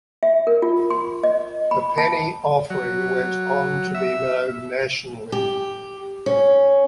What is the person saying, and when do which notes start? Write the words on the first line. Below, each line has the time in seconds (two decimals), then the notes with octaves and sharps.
The Penny Offering went on to be known nationally.
0.23 E5
0.47 A#4
0.62 F4
0.90 C6
1.23 D#5
1.71 B5
1.98 A5
2.70 F#3
3.95 E5
5.32 G4
6.26 C#4